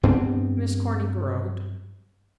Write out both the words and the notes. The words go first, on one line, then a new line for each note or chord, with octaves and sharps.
Miss Corny groaned.
G2 B3 C4 D4